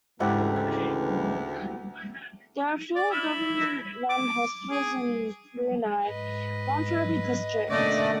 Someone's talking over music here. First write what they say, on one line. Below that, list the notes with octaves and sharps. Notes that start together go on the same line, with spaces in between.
There are four government-run hospitals in Brunei, one for every district.
D2 G#2 C#3 E3 A3 E4 G4 F#5
D5
E4
D6
G#4
G#2 B4 D#5
B2 D3 A3 A#3 C#4 D5 D#5 F#5